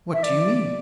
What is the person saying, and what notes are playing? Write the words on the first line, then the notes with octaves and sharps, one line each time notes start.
"What do you mean?"
E5
D5